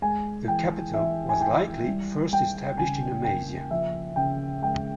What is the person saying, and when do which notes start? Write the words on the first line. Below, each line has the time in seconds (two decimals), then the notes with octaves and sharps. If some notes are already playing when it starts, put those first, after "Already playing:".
The capital was likely first established in Amasia.
0.02 G#3 G#5
0.48 E3 G5
0.94 E3 E5
1.29 G#5
1.40 E3 G5
1.87 G3
2.32 G3 G5
2.78 C#3 G#5
3.24 A#3 G5
3.70 F3 E5
4.16 C#3 G5
4.62 G#3 G5